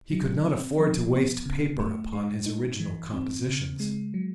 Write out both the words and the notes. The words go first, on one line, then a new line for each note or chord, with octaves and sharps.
He could not afford to waste paper upon his original compositions.
F#3
C4
F3
B3
C#3
A3
G#3
D#4
E3
C4
C#3
G#3
F#3